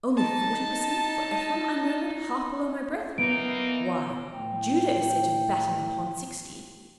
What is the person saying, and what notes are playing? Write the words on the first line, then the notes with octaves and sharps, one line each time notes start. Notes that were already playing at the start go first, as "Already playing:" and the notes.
'Only forty per cent for Ephraim!' I murmured, half below my breath. 'Why, Judah is said to batten upon sixty.'
D#4 A5
E3 A#3 B3 D#4 D7
A2 E3 G5